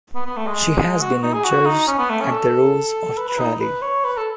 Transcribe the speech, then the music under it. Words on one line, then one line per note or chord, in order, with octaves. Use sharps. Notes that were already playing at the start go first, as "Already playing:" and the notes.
She has been a judge at the Rose of Tralee.
B3
B3
A3
G#3
F#4
D#4
G#4
F#4
D#4
C#4
B3
A3
C#4
A4
B4
B4
D#4
B4
C#5
B4
A4